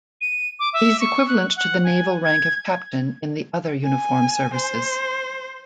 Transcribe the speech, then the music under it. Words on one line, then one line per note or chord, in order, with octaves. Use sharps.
It is equivalent to the naval rank of captain in the other uniformed services.
D#7
D6
E5
C#6
F#6
F#5
G#5
G#6
G#5
C5